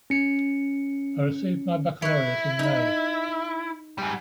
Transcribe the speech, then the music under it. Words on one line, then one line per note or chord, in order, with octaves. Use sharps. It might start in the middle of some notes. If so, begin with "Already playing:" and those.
I received my baccalaureate in May.
C#4 C#7
E4 B4 C#5
D#4 B5
G#2 G3